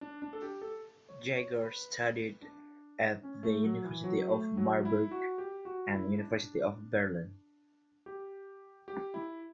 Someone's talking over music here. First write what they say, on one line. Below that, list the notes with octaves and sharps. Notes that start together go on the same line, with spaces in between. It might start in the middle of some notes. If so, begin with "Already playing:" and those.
Jaeger studied at the University of Marburg and University of Berlin.
D4
D4
A4
G4
A4
C#5
C#5
B4
D4
C#4
A3
F#3
E3
F#3
A3
F#3
E4
F#4
G4
F#4
E4
D4
G4
G4
E4